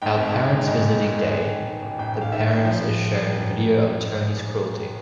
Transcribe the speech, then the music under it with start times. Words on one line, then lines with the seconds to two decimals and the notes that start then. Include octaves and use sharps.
On parents' visiting day, the parents are shown a video of Tony's cruelty.
0.02 G#2 G5
0.18 G#1
0.34 G#3
0.50 G#3
0.67 G#2
0.84 G#3
1.00 G#3
1.17 G#3
1.33 D#3 G#5
1.49 D#3
1.66 D#3
1.82 A1
1.98 A1 G5
2.15 A1
2.21 F5
2.32 D#3 E5
2.48 A1
2.65 F3
2.81 F3